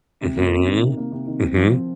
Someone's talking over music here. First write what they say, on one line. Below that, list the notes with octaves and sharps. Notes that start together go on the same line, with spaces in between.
Mhm, mhm.
C3
A#3
C3
D#3
C3
A#3
C3
D#3
C4
F3
C4